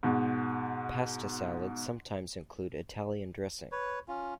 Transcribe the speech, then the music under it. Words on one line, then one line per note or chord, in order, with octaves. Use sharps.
Pasta salads sometimes include Italian dressing.
G#2 B2
B4 C#5
C#4 F4